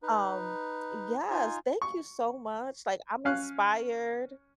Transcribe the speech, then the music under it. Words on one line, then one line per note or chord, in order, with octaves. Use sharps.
um, yes, thank you so much, like I'm inspired.
D#4 B4
D#4 F4 G#5
C#6
C#4 F5 F#6